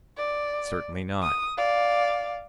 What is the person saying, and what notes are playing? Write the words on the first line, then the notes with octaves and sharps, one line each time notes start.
Certainly not.
D5
D#6
D5 F5